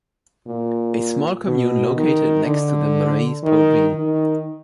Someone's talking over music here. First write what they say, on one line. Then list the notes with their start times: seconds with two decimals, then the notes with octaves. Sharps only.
A small commune located next to the Marais Poitevin.
0.47 A#2
1.46 B2
1.95 D#3
2.44 D3
3.43 D#3
3.93 D#3